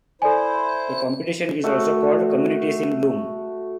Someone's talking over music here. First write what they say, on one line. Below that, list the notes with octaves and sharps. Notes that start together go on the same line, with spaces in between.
The competition is also called "Communities in Bloom".
E4 A4 C5 D5 G#5
A3 F#4